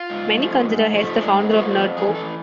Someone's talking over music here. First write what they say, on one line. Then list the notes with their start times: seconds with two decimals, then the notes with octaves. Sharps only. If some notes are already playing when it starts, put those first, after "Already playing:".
Many consider Hess the founder of Nerdcore.
Already playing: F4
0.10 G#2
0.37 F3 A3
0.66 G#2
0.94 F3 A3
1.22 G#2 D4
1.40 C4
1.50 F3 A3
1.59 B3
1.78 F2 B3
1.97 G#4
2.06 E3 A3
2.15 A4